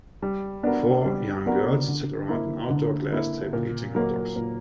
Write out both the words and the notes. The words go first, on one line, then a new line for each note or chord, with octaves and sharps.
Four young girls sit around an outdoor glass table eating hotdogs.
G3
B3 D4 F#4 A#4
G3
B3 D4 F#4 A#4
D3
A#3 E4
D3
A#3 E4
A#2
F#3 A#3
A#2